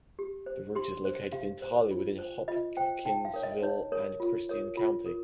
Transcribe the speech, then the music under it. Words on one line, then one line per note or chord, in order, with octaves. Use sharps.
The route is located entirely within Hopkinsville and Christian County.
G4
C5
G4 C6
C5
G4 F5
C5
F4
C5
F4 D#5
C5 G5
D#4 G5
F5
A#4 C#5
D#5
D#4 C#5
A#4 C#5
F4
A#4 C#5
F4
A#4